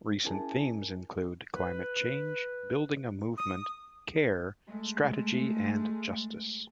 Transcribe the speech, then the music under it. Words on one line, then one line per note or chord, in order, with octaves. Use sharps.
Recent themes include "Climate Change", "Building a Movement", "Care", "Strategy", and "Justice".
C#4 E4 G#4 A#4 G#5 A5
B4
D#6
G#3 A3